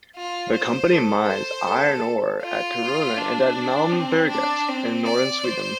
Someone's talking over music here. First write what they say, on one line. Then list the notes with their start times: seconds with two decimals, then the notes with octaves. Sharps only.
The company mines iron ore at Kiruna and at Malmberget in northern Sweden.
0.16 F4
0.54 C5
0.91 A4
1.30 C5
1.67 A4
2.43 F4
3.17 D4
3.92 C4
4.31 D4
4.68 C4
5.06 D5
5.44 C5